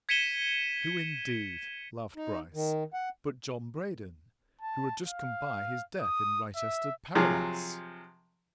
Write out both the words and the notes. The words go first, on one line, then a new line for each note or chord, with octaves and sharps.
Who indeed, laughed Bryce, but John Braden, who had just come by his death in Wrychester Paradise?
G#6 B6 C#7 D#7 E7 G7
D#4
D#3
F#5
A5
F5
D#6
E5
C3 F3 F#3 G#4